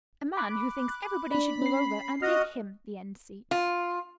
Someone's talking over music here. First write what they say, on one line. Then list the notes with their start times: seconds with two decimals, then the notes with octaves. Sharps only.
A man who thinks everybody should move over and give him the end seat.
0.37 B5 D6 F#6
1.31 D4 D5 B5
1.62 C#4 C7
2.22 F#4 D#5 F6 A#6
3.51 F4